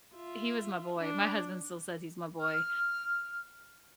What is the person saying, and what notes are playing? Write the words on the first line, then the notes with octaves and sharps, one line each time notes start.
eh, he was my boy, my husband still says "He's my boy,"
F4 E5
D4
F6